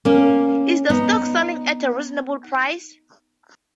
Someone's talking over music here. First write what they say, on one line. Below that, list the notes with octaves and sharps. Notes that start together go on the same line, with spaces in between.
Is the stock selling at a reasonable price?
A#3 C#4
B3 D#4